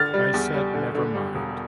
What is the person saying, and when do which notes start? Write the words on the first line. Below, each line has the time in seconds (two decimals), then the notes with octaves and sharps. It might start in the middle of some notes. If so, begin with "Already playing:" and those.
I said “never mind”.
Already playing: D3 F6 A6
0.14 G3
0.34 E2
0.54 G3
0.74 D3
0.95 D3
1.15 G3
1.35 E1